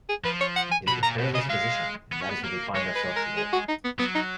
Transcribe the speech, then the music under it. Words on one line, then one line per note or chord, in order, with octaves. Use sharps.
It is a perilous position, and that is where we find ourselves today.
G#4
F3 B4
C#5
F#5
G#5
B2 B5
A#2 A#5
B2
C#3 D#5
G#3 F5
B3
C#4
B3
A#3
G#3 C#5
B4
A#4
G#4
F#4
D#4
B3
F#3 B3
D#4